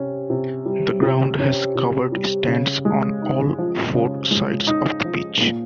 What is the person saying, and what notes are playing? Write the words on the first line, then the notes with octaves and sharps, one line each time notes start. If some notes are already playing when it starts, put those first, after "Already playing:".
The ground has covered stands on all four sides of the pitch.
Already playing: C3 C#4
C3
G3
C3
C#4
C3
G3
C#3
G#3
D#4
F3
C#3
G#3
D#4
F3
A#2